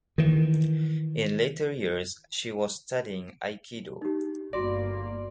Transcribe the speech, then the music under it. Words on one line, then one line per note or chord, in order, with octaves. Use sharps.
In later years she was studying Aikido.
D#3 E3
D#4 G4
G1 A#3 F#4 D5 C6 A#6